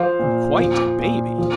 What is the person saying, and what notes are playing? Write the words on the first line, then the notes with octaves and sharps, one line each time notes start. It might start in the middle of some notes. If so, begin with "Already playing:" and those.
I'm quite a baby.
Already playing: F3 C5 F5
A#2
F3
A#2
F3